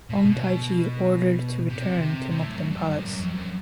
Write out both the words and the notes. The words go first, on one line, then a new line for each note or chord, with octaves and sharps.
Hong Taiji ordered to return to Mukden palace.
B2
C3
B2
C3
C3
A2
F#2
G2
F#2
G2
F#2
F2
F#2